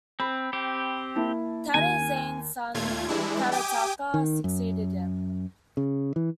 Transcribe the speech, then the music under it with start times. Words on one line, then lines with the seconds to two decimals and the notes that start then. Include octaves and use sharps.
Tadazane's son Tadataka succeeded him.
0.20 C4 B5
0.53 C4 G4
1.16 A#3 E4 A5
1.74 D#2 G#5
2.74 D#2 A#2 A3 F4 G#6
3.08 E3 G3 G#3 D4 E4
3.51 G4 G5 G#5 D6 D#6
4.14 D#3
4.44 F#2
5.77 C#3
6.16 E3